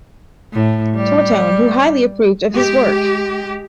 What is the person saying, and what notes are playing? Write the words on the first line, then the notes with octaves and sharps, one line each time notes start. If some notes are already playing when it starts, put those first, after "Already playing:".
Tortone, who highly approved of his work.
A2
G3
G#3 G4